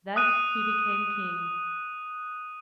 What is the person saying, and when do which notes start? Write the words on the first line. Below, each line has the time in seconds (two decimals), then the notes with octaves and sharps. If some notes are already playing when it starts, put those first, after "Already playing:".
Thus he became King.
0.16 D#6 F#6 D#7